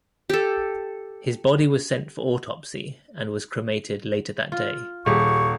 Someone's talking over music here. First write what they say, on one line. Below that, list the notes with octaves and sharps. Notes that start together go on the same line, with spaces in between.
His body was sent for autopsy and was cremated later that day.
G4 A4
F4
D#1 G4 G#4 C#6